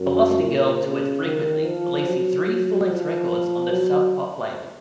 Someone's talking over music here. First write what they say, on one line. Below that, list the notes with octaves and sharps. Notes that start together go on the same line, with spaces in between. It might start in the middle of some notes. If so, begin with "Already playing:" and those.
Velocity Girl toured frequently, releasing three full-length recordings on the Sub Pop label.
Already playing: F#2
A#2
C#3
D#3
F3
F#3
F3
F#3